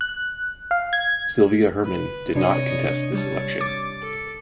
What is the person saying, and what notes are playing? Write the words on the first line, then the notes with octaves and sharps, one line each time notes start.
Sylvia Hermon did not contest this election.
F#6
F5
G#6
B4
C3 D4 C#5 D#5
G3 C#5 A5
D6 A6
A4